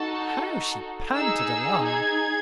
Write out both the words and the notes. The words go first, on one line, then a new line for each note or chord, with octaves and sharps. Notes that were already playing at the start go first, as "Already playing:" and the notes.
How she panted along!
Already playing: D#4 F#4 A4 A5
D#4 G#4 E6
G#6